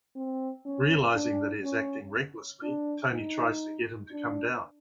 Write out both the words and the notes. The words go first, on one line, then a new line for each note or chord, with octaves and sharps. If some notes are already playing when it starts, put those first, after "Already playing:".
Realizing that he is acting recklessly, Tony tries to get him to come down.
C4
C#4
D4
C#4
D4
D#4
D4